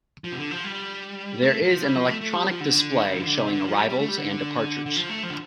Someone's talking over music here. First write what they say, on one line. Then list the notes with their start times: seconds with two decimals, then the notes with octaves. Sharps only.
There is an electronic display showing arrivals and departures.
0.24 F3
0.32 C3
0.38 D3
0.51 F3
0.64 G3
1.42 A3
1.62 F3
1.82 G3
1.95 F3
2.08 A3
2.21 A3
2.34 G3
2.48 F3
2.60 D3
3.03 G3
3.15 F3
3.26 D3
3.39 C3
3.52 D3
3.65 F3
3.79 G3
3.89 G3
3.99 A3
4.08 G3
4.18 D3
4.86 D3
4.97 F3
5.09 A3
5.23 F3
5.30 D3